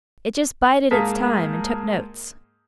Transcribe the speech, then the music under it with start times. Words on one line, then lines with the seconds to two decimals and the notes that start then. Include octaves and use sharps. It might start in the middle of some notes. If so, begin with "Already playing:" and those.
It just bided its time and took notes.
0.91 G#2 A#3 G#4 A#4 A5 B6